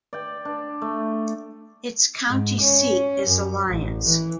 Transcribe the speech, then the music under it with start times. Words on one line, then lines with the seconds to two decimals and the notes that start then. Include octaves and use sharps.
Its county seat is Alliance.
0.13 D5 G5
0.45 D4
0.81 A3
2.28 G#2
2.61 C#4
3.26 F#2
3.68 A1
4.07 E3